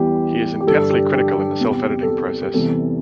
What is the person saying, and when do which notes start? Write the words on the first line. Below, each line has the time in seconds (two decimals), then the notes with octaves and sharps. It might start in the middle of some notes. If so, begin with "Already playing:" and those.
He is intensely critical in the self-editing process.
Already playing: E2 E3 G3 G4
0.61 G4
0.67 G2 D3 G3 A4
0.90 G4
1.14 G4
1.60 E2 C3 G3
2.03 A4
2.07 G4
2.42 G4
2.54 E2 C3 E3 G3 A4